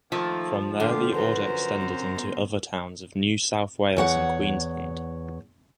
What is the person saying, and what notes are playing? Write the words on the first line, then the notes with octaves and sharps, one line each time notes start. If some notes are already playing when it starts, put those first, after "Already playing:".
From there the order extended into other towns of New South Wales and Queensland.
D#3 F3 A3 A#3
D3 A3 F4 G4
F#2 B4 C5 A#5
C4
B3
E2 C#5 F#5